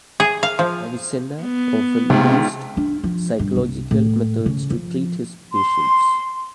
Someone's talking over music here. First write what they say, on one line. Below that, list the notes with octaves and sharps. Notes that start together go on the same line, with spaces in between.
Avicenna often used psychological methods to treat his patients.
G#4
F5
F3
B3
C#2 G#2 C3
D4
F3
G2
C2
A2
C#3
F3
C6